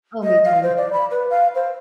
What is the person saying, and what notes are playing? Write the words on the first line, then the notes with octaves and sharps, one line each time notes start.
Oh, me too.
D#5
F5
C5
D5
B5
B4
F5
C5